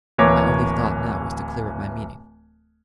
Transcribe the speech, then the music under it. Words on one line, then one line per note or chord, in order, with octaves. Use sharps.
My only thought now was to clear up my meaning.
D1 E3 A#3 C#5 D6 A#6